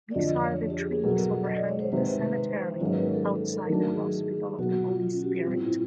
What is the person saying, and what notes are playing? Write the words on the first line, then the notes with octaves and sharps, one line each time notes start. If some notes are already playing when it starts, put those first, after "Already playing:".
These are the trees overhanging the cemetery outside the Hospital of the Holy Spirit.
D5
F2 D3 F3 D#5
D5
C#5
G4
G#4
G#4
A#4
B2 F#3 B3 A4
D#5
D5
C#5
C5
C3 D#3 G#3 B4
B4
C5
G#2 D#3 F#3 A#3 C#4 C#5
B4
A#4
A4
A4
A4
A#4
A4
D#3 F#3 A3 D4 A4
G#4
B2 F#3 B3 F#4
F#4
F4
F4
C#4
F#4
G4
F4
A#2 G3 C4 F4
E4
F4